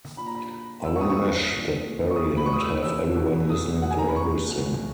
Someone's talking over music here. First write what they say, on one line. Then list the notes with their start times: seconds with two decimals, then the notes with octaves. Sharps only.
I wanna mash that barrier and have everyone listening to everything.
0.17 A#2 B5
0.26 A#5
0.35 B5
0.84 A#2 E6
0.96 C#6
1.01 D#6
1.10 C#6
1.17 D#6
1.51 A#2
2.10 C#6
2.16 A#2 D#6
2.37 B5
2.46 C#6
2.53 D#6
2.60 E6
2.83 E2 E6
3.15 B2
3.49 E2 D#6
3.82 B2 F#5
3.91 G#5
3.99 A#5
4.07 B5
4.15 E2 C#6
4.48 B2